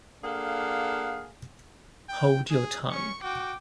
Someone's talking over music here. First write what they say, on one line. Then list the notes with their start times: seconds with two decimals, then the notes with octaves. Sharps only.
Hold your tongue.
0.24 A#3 D4 G#4 A4 F5 F#5
2.09 G5
2.50 G#4
2.91 C#4 C#6 C#7
3.23 F#4 G5 D6